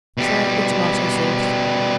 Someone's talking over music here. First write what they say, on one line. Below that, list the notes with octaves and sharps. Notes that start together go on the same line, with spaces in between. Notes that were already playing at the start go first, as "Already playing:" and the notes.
Serve with tomato-sauce.
B2 G3